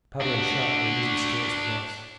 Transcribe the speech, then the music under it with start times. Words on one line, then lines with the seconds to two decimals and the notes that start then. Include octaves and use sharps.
Powder and shot were usually scarce with us.
0.21 D4 F#4